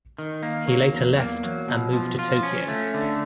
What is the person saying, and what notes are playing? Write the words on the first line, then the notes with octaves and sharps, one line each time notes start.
He later left and moved to Tokyo.
D#3
A#3
F#3
E2
A#3
F#3
B2
F3
F4
C#4
A3
D3